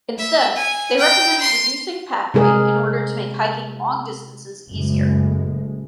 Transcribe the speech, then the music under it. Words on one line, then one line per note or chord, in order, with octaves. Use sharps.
Instead, they recommend reducing pack weight, in order to make hiking long distances easier.
E5
G#5
G5
C6
C3 G#3 G#4 A#4
F#1 F#2 A2 G#3